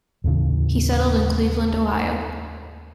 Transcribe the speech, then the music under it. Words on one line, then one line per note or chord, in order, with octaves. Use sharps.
He settled in Cleveland, Ohio.
D#2 A2 C#3 E3